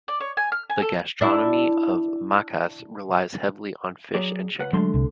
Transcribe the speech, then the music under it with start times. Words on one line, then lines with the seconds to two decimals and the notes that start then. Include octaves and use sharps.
The gastronomy of Macas relies heavily on fish and chicken.
0.08 D5
0.20 C#5
0.37 G#5
0.52 F6
0.70 G#5
0.82 A4
1.21 D4 E4
4.14 F#3 G#4 D5
4.59 C#2 B4 F#5
4.73 D3 F#3 G#3 A3 C6
4.94 C2 C3